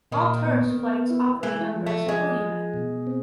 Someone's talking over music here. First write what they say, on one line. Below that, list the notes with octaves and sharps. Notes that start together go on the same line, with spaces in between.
All tourist flights operate under a single unit.
A#2 D#3
B3
B3
E4
E3 G#3
F3
A3
F3 G#3
F3
B2
C4